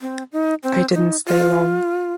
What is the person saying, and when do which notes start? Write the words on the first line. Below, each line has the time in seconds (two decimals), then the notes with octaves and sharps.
I didn't stay long.
0.01 C4
0.32 D#4
0.63 C4
0.94 D#4
1.26 F4